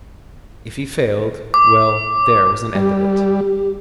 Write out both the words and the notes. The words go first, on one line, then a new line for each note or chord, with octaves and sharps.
If he failed--well, there was an end of it.
D6
G3 G4